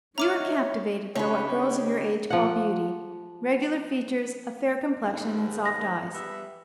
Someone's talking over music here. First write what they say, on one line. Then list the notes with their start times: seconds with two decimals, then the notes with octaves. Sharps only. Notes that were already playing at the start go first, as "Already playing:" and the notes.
You are captivated by what girls of your age call beauty, regular features, a fair complexion and soft eyes.
0.18 D#4 C#5 E5 A#5 D6 F6
1.15 C#3 D4 D#4 G4 B4 C#5
2.30 F3 F#5
5.05 D#2 G#2
5.65 A#6
6.14 G3 B3 E5